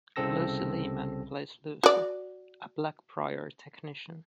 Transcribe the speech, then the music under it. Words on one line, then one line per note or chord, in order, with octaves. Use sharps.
Lucy Liemann plays Lucy, a Blackbriar technician.
C2 C#3 C4 A4 E6 A#6
F#4 D5